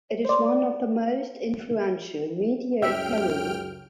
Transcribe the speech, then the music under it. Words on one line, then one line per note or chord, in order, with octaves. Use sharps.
It is one of the most influential media in Peru.
C5 D5
C#2 F#2 C#3 E5 G5 F6 D7